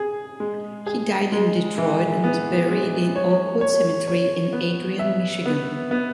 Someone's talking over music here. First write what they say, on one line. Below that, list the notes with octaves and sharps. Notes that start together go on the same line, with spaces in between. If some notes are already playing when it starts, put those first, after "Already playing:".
He died in Detroit and was buried in Oakwood Cemetery in Adrian, Michigan.
Already playing: G#4
G#3
G#4
G#3
E3
B3
G#3
C#5
C#5
C#5
B3
E5
B3
B3